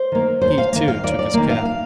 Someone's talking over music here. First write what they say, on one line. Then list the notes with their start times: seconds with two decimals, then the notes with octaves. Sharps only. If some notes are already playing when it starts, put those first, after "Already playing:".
He, too, took his cap.
Already playing: C5
0.12 D#3 A#3
0.42 D#2 C5
0.58 F5
0.73 D#3 A#3
0.88 F5
1.03 D#2 D5
1.19 D5
1.34 D#3 A#3
1.50 F5
1.65 F5